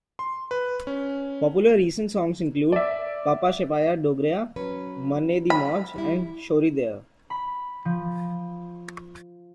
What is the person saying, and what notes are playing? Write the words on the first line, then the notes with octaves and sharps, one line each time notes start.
Popular recent songs include "Pala Shpaiya Dogarya", "Manney di Mauj" and "Shhori Deya".
C6
B4
C#4
D5 E5
F#3 C#4 B4
B5
G3 E4
B5
F3